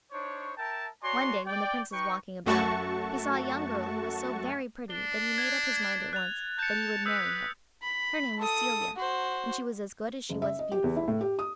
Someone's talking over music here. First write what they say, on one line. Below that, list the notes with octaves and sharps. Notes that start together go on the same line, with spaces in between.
One day, when the Prince was walking about, he saw a young girl who was so very pretty that he made up his mind at once that he would marry her. Her name was Celia, and she was as good as she was beautiful.
D4 D#4 C5 C#5
A#4 E5 G5 A5
F#4 C#5 D5 G#5 A#5 C6
D5 G5
D#4 B4 G5 C#6
F#2 A3 F#4 A5 C#6
D4 G7
G#6
F#6 A6 F7
A5 G6 C#7
B4 D#6 E6 G6
B5
A4 D#6
F#4 C5
F#1
E5
D#5
G4
E2
E4
A2
G4
D#6